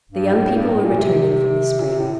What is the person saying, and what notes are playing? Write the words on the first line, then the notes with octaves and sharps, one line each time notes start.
The young people were returning from the spring.
G2
A2
G2
A2
A#2
C3
A#2
C3
A2